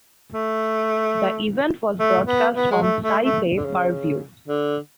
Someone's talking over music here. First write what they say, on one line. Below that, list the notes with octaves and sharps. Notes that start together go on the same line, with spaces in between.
The event was broadcast on Sky Pay per view.
A3
A3
B3
B3
G#3
A3
A3
A3
D3
C#3
D3